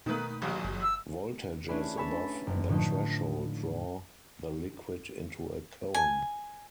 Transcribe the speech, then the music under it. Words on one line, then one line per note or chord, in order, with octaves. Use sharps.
Voltages above the threshold draw the liquid into a cone.
B2 D#3 A3 A#3 D#4 B4
A#1 D#2 F3 F#3 G#3
G1
E6
A3 C#4 D4 E4 G#4 B4
C#5 G#5 B5 E6 A6
F#1
A2 D3 F3 A3 D#4
G#5